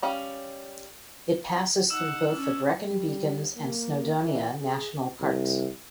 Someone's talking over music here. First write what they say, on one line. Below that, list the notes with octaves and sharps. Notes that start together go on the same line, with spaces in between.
It passes through both the Brecon Beacons and Snowdonia national parks.
G3 C#4 F5
D#4 F#5 E6 E7
C#4 D4
G3
A#3
E3
G#4
C2